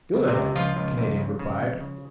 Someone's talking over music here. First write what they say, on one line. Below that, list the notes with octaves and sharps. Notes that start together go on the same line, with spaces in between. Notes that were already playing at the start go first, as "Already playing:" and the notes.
"Good!" the Canadian replied.
C#2
C3 C4
C#2
C#2 F3 F4
C#2
C#2
C#3
C#3
C#2
C#3